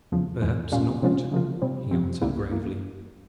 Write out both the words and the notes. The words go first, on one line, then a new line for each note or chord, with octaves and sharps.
"Perhaps not," he answered gravely.
E2 C#3 F3
E2 E3 G#3
A#2 G3 C#4 F4
C3 F3 G#3 C#4 F4
C#3 F3 A#3 F4
C3 G3 C4
C3 F3 C4
C#2 C#3 G3 A#3 E4
E3 A#3